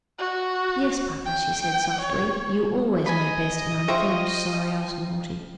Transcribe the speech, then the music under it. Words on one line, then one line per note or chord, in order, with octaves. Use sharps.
"Yes, papa," she said softly; "you always know best, and I am very sorry I was naughty."
F#4
G5
C#5
D#5 G#5 B5
F4 C5 E5 G5 C#6 A#6